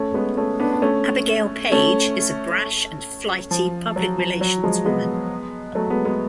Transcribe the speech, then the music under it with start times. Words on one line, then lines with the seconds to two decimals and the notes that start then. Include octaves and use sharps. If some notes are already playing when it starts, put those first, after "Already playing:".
Abigail Page is a brash and flighty public relations woman.
Already playing: A3 C#4
0.14 G#3 B3
0.37 A3 C#4
0.60 B3 D4
0.72 D4
0.82 A3 C#4
1.72 A3 C#4
3.51 F3
3.96 F#3
4.18 F3
4.41 F#3
4.63 F3 G#3
4.86 G#3 B3
5.75 F#3 A3
5.90 G#3 B3
6.05 G#3 B3